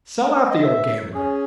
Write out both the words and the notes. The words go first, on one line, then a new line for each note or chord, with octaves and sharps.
'Sell out the old gambler!
D#5
E5
C#4 G#4